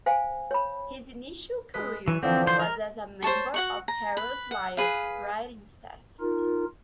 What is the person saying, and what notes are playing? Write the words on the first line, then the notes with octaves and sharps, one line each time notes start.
His initial career was as a member of Harold Lloyd's writing staff.
C5 F5 G#5
C#5 B5
G#3 B4
E3 C#6
D3 E3 F3 C4
C5
A#4
C5 C#5 A5 C#6
F#4 F#5 C#6
A#5
B4
F#5
G#4 B4 F5
D#4 F4 A#4